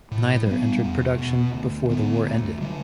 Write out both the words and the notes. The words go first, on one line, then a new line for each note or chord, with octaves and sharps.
Neither entered production before the war ended.
A2
G3 B3
E2
B2 B3
D2
D3 B3
D2
D3 G3